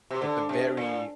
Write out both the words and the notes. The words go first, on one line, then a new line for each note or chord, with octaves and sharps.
like, the very
C3
D3
C3
A#2